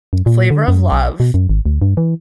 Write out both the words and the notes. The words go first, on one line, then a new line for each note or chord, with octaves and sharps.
Flavor of Love,
F#2
A#2
D3
F#2
B1
B2
F#2
G#1
D2
G2
E3